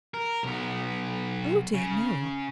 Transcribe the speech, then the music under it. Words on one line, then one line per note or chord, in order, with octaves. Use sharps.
'Oh dear, no!
A#4
B1 B3
C#3